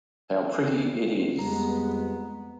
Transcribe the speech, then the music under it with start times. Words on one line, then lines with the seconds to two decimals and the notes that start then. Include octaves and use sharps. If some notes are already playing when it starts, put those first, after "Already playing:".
How pretty it is!
1.38 F2 G3 G#3 B3 A#5